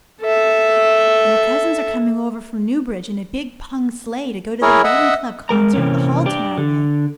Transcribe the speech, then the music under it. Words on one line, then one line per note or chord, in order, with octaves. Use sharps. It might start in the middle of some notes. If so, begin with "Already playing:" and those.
And her cousins are coming over from Newbridge in a big pung sleigh to go to the Debating Club concert at the hall tomorrow night.
A4 E5
E4 G#4 A#4 C#5
D#5 E5 F#5
G#3 A#4 A#5
C3 E3 A#3 C4 C#4
D4 G4
D3